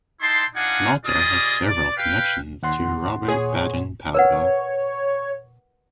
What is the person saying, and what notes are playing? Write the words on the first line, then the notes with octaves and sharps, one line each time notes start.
Malta has several connections to Robert Baden-Powell.
D#4 E4 G5 A5 C6
D4 D#4 F4 F5 F#5 G#5
G3 F4 G#4 D5 D#5 D#6
D5
B4 F5 G5
D#2 F#5 C6
A#2 G#4 C#5
A#4 B4 C#5 F#5